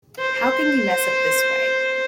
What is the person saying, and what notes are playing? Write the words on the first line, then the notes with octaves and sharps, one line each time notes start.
How can you mess up this way?
C5